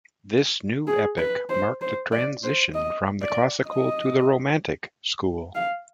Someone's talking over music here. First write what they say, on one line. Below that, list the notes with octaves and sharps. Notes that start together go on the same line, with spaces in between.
This new epic marked a transition from the classical to the romantic school.
G#4
B4
C5
C5
D5
C5
D#5
D5
D#5
F5